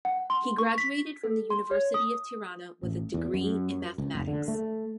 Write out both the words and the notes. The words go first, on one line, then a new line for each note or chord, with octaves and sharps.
He graduated from the University of Tirana with a degree in Mathematics.
F#5
C6
C#6
B6
A4
C6
C#5
D#6
A1
E2
F#2
C#2
F1
D3
A3